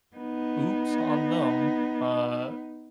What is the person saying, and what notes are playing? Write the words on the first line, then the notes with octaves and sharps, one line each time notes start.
Oops on them. Uh,
B3 D#4